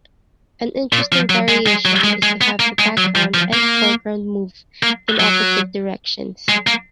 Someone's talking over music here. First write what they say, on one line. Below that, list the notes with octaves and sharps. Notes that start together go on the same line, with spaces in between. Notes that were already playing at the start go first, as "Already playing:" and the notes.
An interesting variation is to have the background and foreground move in "opposite" directions.
A#2
F3
F#3
G#3
G#3
F#3
G#3
G#3
B3
A#3
G#3
F#3
F3
F3
A#3
A#3
F#3
G#3
A#3